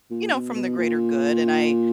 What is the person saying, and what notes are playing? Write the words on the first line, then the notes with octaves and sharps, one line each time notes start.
you know, from the greater good, and I
A#2
B2
B2
A#2